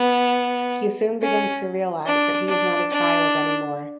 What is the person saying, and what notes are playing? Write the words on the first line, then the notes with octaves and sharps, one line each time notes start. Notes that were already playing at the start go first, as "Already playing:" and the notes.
He soon begins to realize that he is not a child anymore.
Already playing: B3
C#4
D4
D4
D4